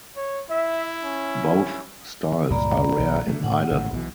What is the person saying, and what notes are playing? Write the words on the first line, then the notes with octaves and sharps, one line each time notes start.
Both styles are rare in Idaho.
C#5
E4 E5
C#4
C#2 G2 A#2 D5 A#5 B5
B1
D3 F3 A3
A2 F#5
G#1 A2 C#3
B1 B2 E3